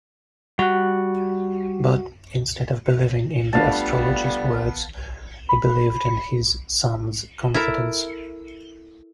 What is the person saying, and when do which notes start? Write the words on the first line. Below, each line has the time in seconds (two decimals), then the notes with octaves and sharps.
But, instead of believing in the astrologer's words, he believed in his son's confidence.
0.59 G3 F#4 F#5
3.53 G3 A3 B3 D4 F4 F5 A5
5.49 B5
7.54 E4 A4 A#4 E5